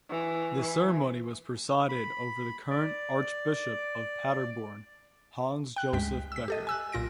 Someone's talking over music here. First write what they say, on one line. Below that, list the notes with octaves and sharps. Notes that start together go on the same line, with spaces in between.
The ceremony was presided over by the current Archbishop of Paderborn, Hans-Joseph Becker.
E3
E3
B5
D5
G5 F#6
C#2 G2 G#3 G5 B6
E6 B6
G4 A4 D#5
G#5 E6 F#6
B1 A#2 F4 A#6 D7